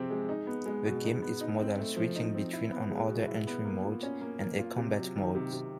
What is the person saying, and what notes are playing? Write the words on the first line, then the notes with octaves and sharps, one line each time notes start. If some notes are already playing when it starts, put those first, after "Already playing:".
The game is modal, switching between an order entry mode and a combat mode.
Already playing: C3 F3 G#3 C4
G#3
D#4
B3
G#3
B2
D#4
B3
D#4
C4
A3
F3
D#4
C4
E4
B3
G#3
B2
E4
B3
A#3
F4
C#4
A#3
A#3
F4
C3
F#3
D#3
C3
C3